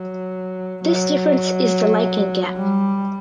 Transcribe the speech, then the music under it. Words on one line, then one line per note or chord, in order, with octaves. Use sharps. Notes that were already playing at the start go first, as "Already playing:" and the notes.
This difference is the liking gap.
Already playing: F#3
F#3
G3